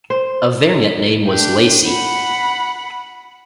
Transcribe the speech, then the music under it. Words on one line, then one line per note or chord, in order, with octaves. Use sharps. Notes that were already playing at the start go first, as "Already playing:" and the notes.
A variant name was "Lacey".
C5
D4 G4
F#5 B5